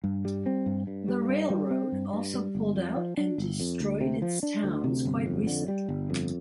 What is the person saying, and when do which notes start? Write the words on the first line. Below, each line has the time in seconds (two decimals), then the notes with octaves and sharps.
The railroad also pulled out and destroyed its towns quite recently.
0.04 G2
0.25 G3
0.46 C4
0.66 G2
0.87 G2
1.08 G3
1.29 G2
1.50 G3
1.71 C4
1.92 G2
2.13 G2
2.34 G3
2.55 G1
2.76 F2
2.96 F3
3.17 D4
3.38 G1
3.60 F2
3.80 D2
4.01 C3
4.22 F3
4.43 D4
4.64 D2
4.84 C3
5.05 G1
5.26 F2
5.47 D3
5.68 G3
5.89 G1
6.10 F2